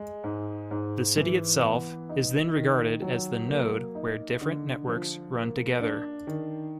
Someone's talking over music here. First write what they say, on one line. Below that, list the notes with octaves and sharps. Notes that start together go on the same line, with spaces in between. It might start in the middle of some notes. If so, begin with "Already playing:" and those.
The city itself is then regarded as the node where different networks run together.
Already playing: G#3
G#2
G#2
E3
B3
D#4
D#3
F#3
A#3
D#4
D3
F3
A#3
D4
D#3